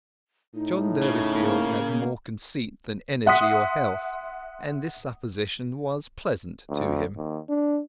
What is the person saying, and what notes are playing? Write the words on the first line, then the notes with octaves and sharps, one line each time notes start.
John Durbeyfield had more conceit than energy or health, and this supposition was pleasant to him.
A2 D#4
C#3
A#3
E5 F#5 C6 D#6 B6
D2
D#2
D4